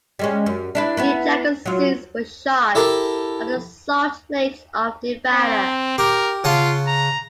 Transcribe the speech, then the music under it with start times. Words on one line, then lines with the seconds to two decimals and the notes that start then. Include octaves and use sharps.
Dean Jagger's scenes were shot on the Salt Lakes of Nevada.
0.19 G3 G#3 C#4
0.46 F#2
0.75 D4 E4 B4
0.97 B3 E4 B4
1.66 F#3 F4
2.75 E4 G4 A4 A#4
5.32 C4
5.98 G4 A#4
6.44 C#3 F4 F#5 A5
6.87 A#5